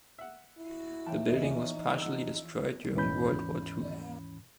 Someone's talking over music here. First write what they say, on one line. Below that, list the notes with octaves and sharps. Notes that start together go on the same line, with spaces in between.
The building was partially destroyed during World War ll.
E5 F#5
E4
E3 C#5 G5 A5
A#2 F3 D#4 G#5
F3 F#5 E6
D#2 G#2 E3 C#4 B5 G6